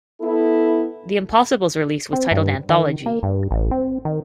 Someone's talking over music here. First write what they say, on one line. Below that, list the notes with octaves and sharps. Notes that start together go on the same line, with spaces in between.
The Impossibles release was titled "Anthology".
B3 E4 A4
C4
G2
D#3
A#3
G2
A1
C4
D#3